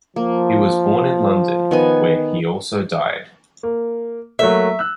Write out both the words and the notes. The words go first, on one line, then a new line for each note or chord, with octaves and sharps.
He was born in London, where he also died.
F3 A#3
D#3 B3 G#5
A#3
F#3 A3 A#3 E5
E6 F#6